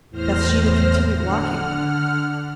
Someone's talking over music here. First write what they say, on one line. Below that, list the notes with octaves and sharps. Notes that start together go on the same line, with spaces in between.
Bathsheba continued walking.
E2 A2 C5 F6 A#6
D3 F#5 F6